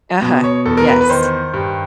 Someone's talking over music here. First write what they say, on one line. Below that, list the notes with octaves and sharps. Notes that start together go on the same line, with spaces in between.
Uh-huh, yes.
B2
C#5
E2 A4
A#4
B4
B4
D#3 C5
G2